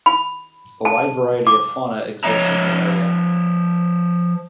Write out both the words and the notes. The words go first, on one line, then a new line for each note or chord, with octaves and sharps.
A wide variety of fauna exists in the area.
B5
A5
D6
F3 C#5 D#5 E5 A#5